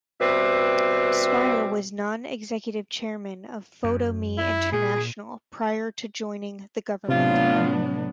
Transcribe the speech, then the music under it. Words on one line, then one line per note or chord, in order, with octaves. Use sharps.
Swire was non-executive chairman of Photo-Me International prior to joining the Government.
B2 G3 C4 B4 E5
F#2
E4
A#2 G#4
A2 C3 F#3 B3 D4 F4